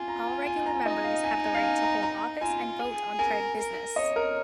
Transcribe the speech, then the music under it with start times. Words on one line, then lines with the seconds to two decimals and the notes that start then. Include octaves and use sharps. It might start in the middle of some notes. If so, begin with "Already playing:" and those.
All regular members have the right to hold office and vote on Tribe business.
Already playing: F4 G#5
0.08 A#5
0.27 G#5
0.46 G#5
0.56 G#5
0.66 A#5
0.75 G#5
0.85 D#4 D#5
1.04 F5
1.24 G#5
1.44 G#5
1.54 F5
1.63 G#5
1.82 A#5
2.02 A#5
2.41 F4 G#5
2.80 G#4
3.19 A#4 G#5
3.58 A#4
3.96 C#5 D#5
4.16 A#4